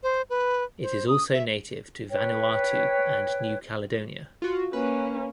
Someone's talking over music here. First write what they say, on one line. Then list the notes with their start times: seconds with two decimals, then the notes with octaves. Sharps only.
It is also native to Vanuatu and New Caledonia.
0.03 C5
0.30 B4
0.82 C5
1.08 D#6
1.33 E5
2.10 B4 C#5 G5
4.42 F4 F#4
4.73 A#3 C#4 B4